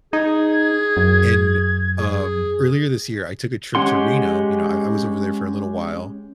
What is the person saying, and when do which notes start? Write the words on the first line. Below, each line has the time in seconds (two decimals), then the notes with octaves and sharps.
And, um, earlier this year, I took a trip to Reno. You know, I I was over there for a little while,
0.13 D#4 G#4 G#6
0.97 F#2
2.00 G#4
3.75 G#3 C#4 G4 F#5 C6